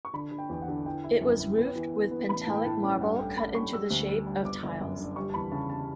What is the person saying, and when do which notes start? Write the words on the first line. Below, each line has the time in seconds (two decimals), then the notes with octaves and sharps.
It was roofed with Pentelic marble cut into the shape of tiles.
0.05 C#6
0.13 D3 B5
0.31 D3
0.38 G5
0.49 E2 G5
0.62 F#5
0.68 D3
0.85 E3 G5
1.04 E4
1.21 F#2
1.40 E4
1.58 B3
1.75 E3
1.94 B3
2.11 B3
2.29 A1 B5
2.41 A5
2.47 A2
2.54 G5
2.65 A2 A5
2.84 C#4
3.01 G2 F#5
3.19 A3 G5
3.37 A3 B5
3.54 G2 C#6
3.73 G3 E6
3.90 D2
4.09 G3
4.27 G3
4.44 G1 D6
4.63 G1
4.81 F#2
4.98 D3
5.16 G3 C#6
5.30 A5
5.34 E2 B5
5.52 C#3 A5
5.70 A5